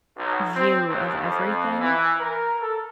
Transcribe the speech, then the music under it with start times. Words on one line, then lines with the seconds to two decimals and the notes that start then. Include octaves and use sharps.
view of everything,
0.16 B1
0.55 C4
0.89 D#2
1.21 F2
1.80 E3
2.19 A#4
2.60 A4